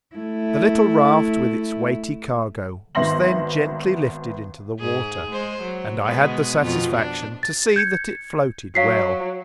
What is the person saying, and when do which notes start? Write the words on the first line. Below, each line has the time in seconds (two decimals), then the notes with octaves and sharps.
The little raft with its weighty cargo was then gently lifted into the water, and I had the satisfaction to see that it floated well.
0.16 A3 E4
2.95 G#1 B3 E5 C6 A#6 F#7
4.80 G#2 G#4
5.32 G#3 C5
5.63 F#3
6.05 B2 G#3 B3
6.64 F2 B2 F4
6.95 D4
7.43 A6
7.76 G6 G#6 C#7
8.75 F#3 F5 B6 C7